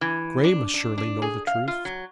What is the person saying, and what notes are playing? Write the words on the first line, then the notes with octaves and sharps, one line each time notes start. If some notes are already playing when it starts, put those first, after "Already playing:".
Grey must surely know the truth.
E3
D4
D4
D4
G#4
F5
F4
F#3